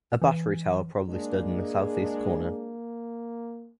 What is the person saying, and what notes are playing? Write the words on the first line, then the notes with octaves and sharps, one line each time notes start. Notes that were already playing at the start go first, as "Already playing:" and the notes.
A battery tower probably stood in the southeast corner.
E3
G#3 A#3 D4 G#4